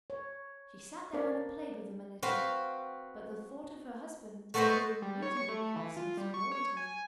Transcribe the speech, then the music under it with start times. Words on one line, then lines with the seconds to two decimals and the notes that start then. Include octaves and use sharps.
She sat down and played with them a little, but the thought of her husband and his unreasonable crossness worried her.
0.10 C#5
1.13 C4 D4 A#4 D5 F5
2.22 C4 F#4 B4 F5
4.54 A3 F#4 A4 B4 C5 D#5
5.02 G3
5.22 C#5
5.37 C#6
5.49 A3
5.76 E3
5.97 F4
6.17 G3
6.34 C#6
6.52 C#5
6.77 G#5